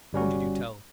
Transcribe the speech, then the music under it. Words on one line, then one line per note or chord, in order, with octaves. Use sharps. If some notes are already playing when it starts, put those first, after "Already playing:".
Whom did you tell?
G1 G3 C#4 F#4